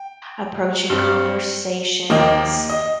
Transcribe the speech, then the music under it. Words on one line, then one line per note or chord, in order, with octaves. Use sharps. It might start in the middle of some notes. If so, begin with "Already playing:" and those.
approaching conversations,
Already playing: G5
G2 G3 C4
D#2 D#3 A#3 D#5 G5
D#5